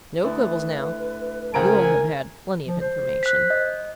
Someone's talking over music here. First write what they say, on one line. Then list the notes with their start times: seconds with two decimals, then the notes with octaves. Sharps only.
"No quibbles, now!--you'll have had plenty of information."
0.23 D2 E4 B4
1.54 C#2 A#4 C5 G#5 A#5 D7
2.66 F3
2.81 C5
3.23 F#6 B6
3.50 D#5